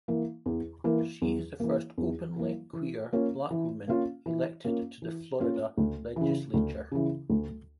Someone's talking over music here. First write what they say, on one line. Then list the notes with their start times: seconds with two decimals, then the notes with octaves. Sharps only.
She is the first openly queer Black woman elected to the Florida Legislature.
0.08 E3 A#3
0.46 E2
0.84 E3 A#3
1.22 E2
1.60 E3 A#3
1.98 E2
2.36 E3 A#3
2.73 E3
3.13 A#3 C#4 F4
3.51 E3
3.87 A#3 C#4 F4
4.26 E3
4.64 A#3 C#4 F4
5.02 E3
5.40 A#3 C#4 F4
5.77 D2
6.16 C#3 E3
6.54 D2
6.92 C#3 E3
7.30 D2